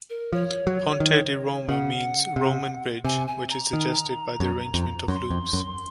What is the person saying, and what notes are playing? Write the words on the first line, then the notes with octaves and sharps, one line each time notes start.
Ponte di Roma means "Roman Bridge" which is suggested by the arrangement of loops.
A#4
F3 C#5
F#3
D#3
C#3 F#5
C3
C3 G#5
G#5
A#5
D#3
F#2
F2
F#2 C6
F2
F#2